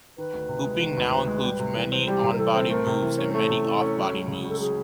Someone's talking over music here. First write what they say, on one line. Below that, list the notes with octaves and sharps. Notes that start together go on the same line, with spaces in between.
Hooping now includes many 'on body' moves and many 'off body' moves.
D#3 B4
D2
C3
G#3
D#3
D2
C3
G#3
G3
C3
E3
C4
G3 G4
C3
A#4
E3 A4
C4
A3 A#4
C3
E3
C#4
A3 A4
C3
E3
C#4
F#3
C#2
C#3
C#2 A4
F#3 G#4